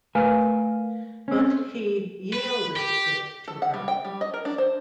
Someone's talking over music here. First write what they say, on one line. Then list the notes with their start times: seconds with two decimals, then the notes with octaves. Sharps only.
But he yielded it to her.
0.15 A3 A#4 B4 F5 G#5
1.28 C4 C#4
2.33 B4
2.76 G4
3.48 A4
3.62 F#5
3.74 G3
3.88 G5
4.05 G3
4.21 D#5
4.34 A#4
4.45 D4
4.58 C5